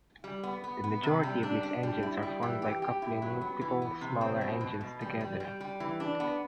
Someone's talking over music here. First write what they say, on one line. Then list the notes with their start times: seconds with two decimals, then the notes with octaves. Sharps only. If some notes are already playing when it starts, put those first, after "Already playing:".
The majority of these engines are formed by coupling multiple smaller engines together.
0.24 G3
0.43 B3
0.64 B3
0.84 B3
1.03 C3
1.23 G3
1.43 D4
1.63 D4
1.83 G3
2.03 E4
2.23 G3
2.43 E3
2.62 G4
2.82 G4
3.02 E4
3.22 F#3
3.41 B3
3.61 E3
3.82 B3
4.01 C3
4.21 C4
4.41 B2
4.61 B2
4.81 B2
5.01 G3
5.21 G3
5.40 G3
5.61 G3
5.80 E3
6.00 D4
6.20 B3